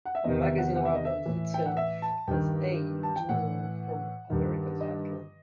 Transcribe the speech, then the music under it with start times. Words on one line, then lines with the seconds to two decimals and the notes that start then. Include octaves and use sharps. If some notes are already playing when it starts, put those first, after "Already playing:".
The magazine labels itself as A Journal from America's Heartland.
0.05 F#5
0.15 E5
0.24 E2 C3 D#3 D#5
0.42 E5
0.58 F#5
0.75 F#5
0.85 E5
0.95 D#5
1.05 E5
1.26 A2 E3
1.54 G5
1.66 F#5
1.77 E5
2.02 A5
2.28 G2 D#3 G5
3.03 A5
3.16 G5
3.29 A2 E3 F#5
4.30 G2 D#3
4.81 D#5